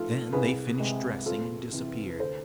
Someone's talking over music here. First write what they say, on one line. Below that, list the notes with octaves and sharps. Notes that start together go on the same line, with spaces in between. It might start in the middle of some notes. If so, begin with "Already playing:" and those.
Then they finished dressing and disappeared.
Already playing: G#2 F3 A3 F4 A4
C2 G#4 B4
C3 G#3
F2 F4 A4
C3 E3
B4
D2 A4 C5